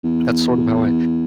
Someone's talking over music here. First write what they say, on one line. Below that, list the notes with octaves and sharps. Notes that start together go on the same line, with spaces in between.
That's sort of how I
E2